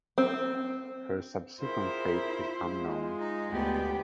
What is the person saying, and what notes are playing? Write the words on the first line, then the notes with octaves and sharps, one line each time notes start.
Her subsequent fate is unknown.
C4
C4 E4 F4 G#4 A#4 C5
G#3
D#4
D2 B3 G4